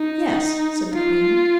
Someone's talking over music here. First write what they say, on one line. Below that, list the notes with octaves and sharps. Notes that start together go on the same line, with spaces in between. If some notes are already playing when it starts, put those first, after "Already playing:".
"Yes," said the queen.
Already playing: D#4
F4